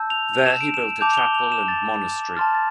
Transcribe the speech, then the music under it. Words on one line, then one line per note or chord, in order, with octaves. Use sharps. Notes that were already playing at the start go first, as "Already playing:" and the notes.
There he built a chapel and monastery.
Already playing: A5 E6 G6
F7
F7
E7
D7
E7
A5 D6 G6 F7
F7
G7
F7
E7
A6
A5 C6 F6 A6
A6